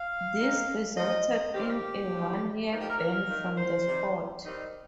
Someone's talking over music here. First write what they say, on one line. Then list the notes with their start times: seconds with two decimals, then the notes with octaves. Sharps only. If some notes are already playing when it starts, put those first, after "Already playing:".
This resulted in a one-year ban from the sport.
Already playing: F5
0.38 D#3 A#3 D#4
0.96 F3 C4 D#4 D#5
1.53 D#3 G3 C4 G4
1.61 A#4
1.68 G4
2.11 F3 C4 D#4
2.69 A#2 F3 A#3 D#4
2.79 G4
2.88 A#4
2.99 A#4
3.27 D#3 A#3 D#4
3.56 C5
3.86 C3 G3 D#4
4.43 D#3 G3 C4 D#4